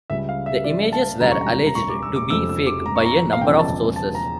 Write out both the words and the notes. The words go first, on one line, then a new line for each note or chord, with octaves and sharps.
The images were alleged to be fake by a number of sources.
C#2 C#3 G3 E5
F5
E5
D5
A5
E1 D2 C#3 G3 A#5
C#6
A#5
A#5
C#6
D6
E6
D6
F1 F2 C#3 F3 E6
E6
D6
A#5
C#6
A#5
F5
E1 E2 C#3 F3 G5
A5
A5
A#5